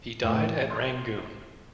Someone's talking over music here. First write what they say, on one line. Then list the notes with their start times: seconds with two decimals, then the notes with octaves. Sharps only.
He died at Rangoon.
0.24 A2
0.43 E3
0.70 C6